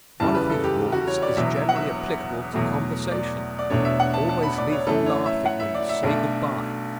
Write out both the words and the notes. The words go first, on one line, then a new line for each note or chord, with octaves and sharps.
One of his rules is generally applicable to conversation: "Always leave them laughing when you say good bye."
F#1 E2 C#3 E3 G3 A5
B4
A4
G4
F#4
C#5
D5
E1 E2 B2 F#3 E5
E5
F#5
E5
E2 B2 F#3 A3
D5
D5
E1 E2 B2 A3 D4 C#5
E5
F#5
A5
A5
B5
D5
C#5
F#2 E3 A3 A4
C#5
E5
F#5
E5
D5
E5
B1 B2 A3 D4